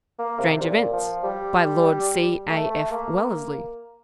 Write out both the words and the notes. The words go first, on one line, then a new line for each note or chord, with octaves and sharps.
"Strange Events," by Lord C. A. F. Wellesley.
A#3
C3
A#2
F3
G3
A3
A3
A#3